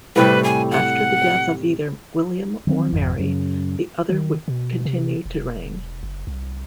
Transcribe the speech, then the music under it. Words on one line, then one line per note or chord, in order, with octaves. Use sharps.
After the death of either William or Mary, the other would continue to reign.
A2 C3 G3 B4
G#5
F#5
D#3 F#3 A3 C4
G#1 F2
F#2 C#3
D#3
B2
C3
E1
F#1
C2